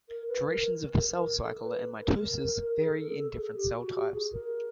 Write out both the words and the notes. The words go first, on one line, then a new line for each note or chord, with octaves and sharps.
Durations of the cell cycle and mitosis vary in different cell types.
A#4
B4
A#4
A#4
A4
A#4
A4
B4
A#4
G#4
A4
A#4
G#4
A4
G#4
G4
F#4
G4
G#4
A#4